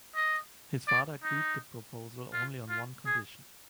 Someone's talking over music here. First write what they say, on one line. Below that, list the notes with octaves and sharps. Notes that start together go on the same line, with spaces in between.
His father agreed the proposal only on one condition.
D#5
D5
D#4
F4
F4
G#4